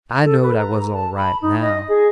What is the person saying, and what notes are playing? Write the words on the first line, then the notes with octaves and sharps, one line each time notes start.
I knowed I was all right now.
A4
B4
A#5
A5
B5
D#4
D#5
G#4